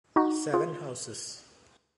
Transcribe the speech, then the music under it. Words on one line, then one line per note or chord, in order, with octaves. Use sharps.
Seven houses.
D#4 F#4
F4 G#4